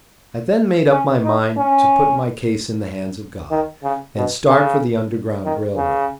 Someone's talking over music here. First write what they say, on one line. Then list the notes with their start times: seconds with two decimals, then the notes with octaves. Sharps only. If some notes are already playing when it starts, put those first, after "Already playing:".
I then made up my mind to put my case in the hands of God, and start for the Underground Rail Road.
0.92 C#4
1.24 D#4
1.57 C#4
3.51 D#3
3.84 C#3
4.15 B2
4.48 C#3
5.45 D#3
5.77 C#3